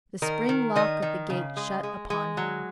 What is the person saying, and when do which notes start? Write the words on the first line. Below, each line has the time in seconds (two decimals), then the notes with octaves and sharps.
The spring-lock of the gate shut upon him.
0.22 D#3 A#4
0.49 D#3
0.76 D#3 D#5
1.02 D#3
1.30 C#3
1.57 G#3
1.83 G#3
2.10 G#3
2.37 F#3